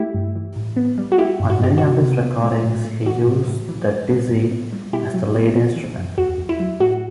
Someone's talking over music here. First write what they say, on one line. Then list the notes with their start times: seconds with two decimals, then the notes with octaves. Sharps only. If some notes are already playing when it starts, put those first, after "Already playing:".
On many of his recordings he uses the "dizi" as the lead instrument.
Already playing: A3 E4 G4
0.14 G2
0.36 E3
0.56 A2
0.76 B3
0.98 G3
1.12 F#4
1.18 A3 E4 G4
1.40 G2
1.50 F#4
1.60 G2 G4
1.78 C3 F#4
2.02 C3
2.22 B3
2.43 A3
2.64 A2
2.85 A3
3.06 E3 F#4
3.27 A2
3.48 A2
3.69 E3
3.89 G3
4.10 B3
4.30 A2
4.51 B3
4.73 G3
4.93 B2 E4 G4
5.14 F#3
5.34 B3
5.55 B3
5.76 E3
5.97 F#2
6.18 E2 F#4
6.38 E2
6.49 E4
6.60 F#3
6.80 A2 F#4